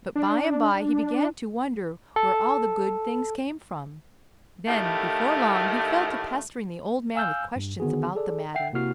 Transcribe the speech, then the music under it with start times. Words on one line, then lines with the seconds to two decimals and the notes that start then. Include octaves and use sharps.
But by-and-by he began to wonder where all the good things came from. Then, before long, he fell to pestering the old man with questions about the matter.
0.15 D4
2.16 A4
4.67 A2 D#3 A3 E4 G4 F5
7.15 F5 G#5 E6 F6 G6
7.56 G2
7.80 D3 D#3 B3 F#4 G#4
8.15 G#4 A4 D5
8.55 E5 F#5 G5 C7
8.73 C3 A#3 E4 F#4 F6 C7